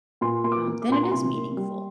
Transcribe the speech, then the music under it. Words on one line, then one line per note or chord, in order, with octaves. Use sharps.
then it is meaningful.
A#2 C6
A#3 C6
D6
A#3
D6
A#2 C6
A#5
C2 C6
A#3
G3